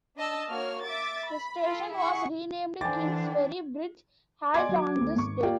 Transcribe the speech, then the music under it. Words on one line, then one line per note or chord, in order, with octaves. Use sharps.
The station was renamed Kings Ferry Bridge Halt on this date.
D4 D#5 A5 E6
A#3 F#4 C#5 F6
E5 D6 A6
B5
F4 A4
E4 G#4 F#5 C#6
D3 E3 D4 C5 G5 G#5 D6 A6
D5 D#5 G#5 C6 D6 G#6
F#3 F#4
D2 C4
G#1 C#6
A#3 F4 G4 D5 F5 G5